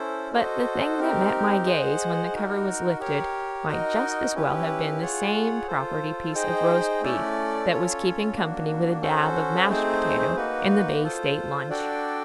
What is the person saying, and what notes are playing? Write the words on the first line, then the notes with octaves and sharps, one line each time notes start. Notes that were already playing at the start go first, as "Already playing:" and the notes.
But the thing that met my gaze when the cover was lifted might just as well have been the same property piece of roast beef that was keeping company with a dab of mashed potato in the Bay State Lunch.
Already playing: C#4 E4 A4 C5
F#4 A4 C5 D#5
C4 D#4 G4 A#4
G#4 C5 D#5 F#5
D#4 F#4 A#4
G4 A#4 C#5
D#4 F#4 A#4 D#5
C#4 E4 G4 B4
F4 G#4 C#5 F#5
F4 A4 C5
D#4 G#4 C5 D#5 G5
A3 C#4 E4 A4 D5
C#4 F4 A4 C#5
A#3 D4 F#4
C#4 F#4 A4 C5
A3 C4 D#4 G#4 C5
A#3 D#4 F#4 B4
F4 A4 C5
D4 F#4 A4 D5 G5